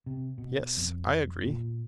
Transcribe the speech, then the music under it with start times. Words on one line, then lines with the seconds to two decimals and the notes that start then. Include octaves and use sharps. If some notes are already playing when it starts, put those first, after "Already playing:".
Yes, I agree.
0.06 C3
0.38 B2
0.77 F2
1.46 A#2